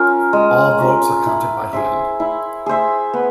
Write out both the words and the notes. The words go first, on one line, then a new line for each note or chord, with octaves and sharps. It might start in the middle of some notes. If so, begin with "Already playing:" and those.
All votes are counted by hand.
Already playing: C#4 F4 A#4
G#3
C#4 F4 A#4
E4
G#4 C5 E5
E4
G#4 C5 E5
B3